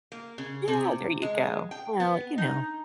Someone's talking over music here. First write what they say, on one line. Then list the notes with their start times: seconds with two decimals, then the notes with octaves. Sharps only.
Yeah. There you go. Well, you know,
0.12 A#3
0.38 C#3
0.68 C3
1.22 G#3
1.71 G5
2.00 B3
2.38 D#4